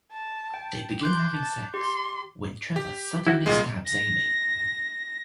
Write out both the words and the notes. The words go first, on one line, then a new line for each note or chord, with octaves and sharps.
They begin having sex when Trevor suddenly stabs Amy.
A5
G5
C6 D6 F#6 G6
A5
G4 C6
G4
E4 F#4
C2 A#2 G#3
A#6